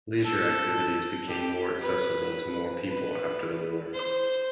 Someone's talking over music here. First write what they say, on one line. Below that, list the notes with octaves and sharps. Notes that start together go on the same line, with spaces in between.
Leisure activities became more accessible to more people after the war.
A4
G4
B4
B4
C5